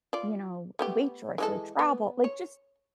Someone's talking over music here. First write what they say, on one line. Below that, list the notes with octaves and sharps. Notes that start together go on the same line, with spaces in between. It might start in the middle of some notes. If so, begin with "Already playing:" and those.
you know, waitress or travel." Like, just
F4 D5
A3 B3 G4
E3 G#3 A4
B3
C#5